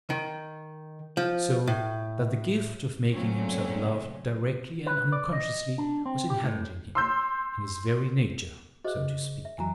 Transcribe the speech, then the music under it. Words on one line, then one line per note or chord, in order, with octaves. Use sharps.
So that the gift of making himself loved directly and unconsciously was inherent in him, in his very nature, so to speak.
D#3
F3
A2
A#2 C#3 F#3 A3 C4 C#4
B4
D5
D#5
D4
C4
G4
A2
C6 E6 G6
F#4 G#4 C5 D#5 E5 F#6
C#3
E5
F2 E3 F#3 G#5 A#5